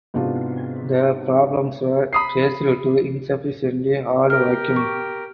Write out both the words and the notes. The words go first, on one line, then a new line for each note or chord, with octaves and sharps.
The problems were traced to insufficiently hard vacuum.
G#2 C3 B3 D4 F4 F#4
B5 D#6 C7
G4 A#4 F6
C#6